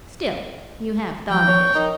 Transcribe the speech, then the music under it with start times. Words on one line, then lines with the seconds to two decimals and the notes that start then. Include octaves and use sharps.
"Still, you have thought of it?"
1.30 F3 G5
1.48 C#5
1.75 D#4 A#4